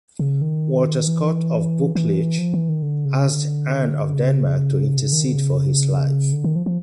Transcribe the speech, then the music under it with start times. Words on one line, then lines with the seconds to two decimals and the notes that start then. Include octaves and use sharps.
Walter Scott of Buccleuch asked Anne of Denmark to intercede for his life.
0.19 C#3
0.42 D#3
1.07 E3
1.95 E3
2.38 F3
2.54 E3
2.69 D#3
2.82 D3
3.05 C#3
3.27 D3
4.14 C#3
4.97 C3
5.02 C#3
5.13 D#3
5.24 D3
5.35 C#3
6.33 D3
6.44 D#3
6.56 F3
6.66 F3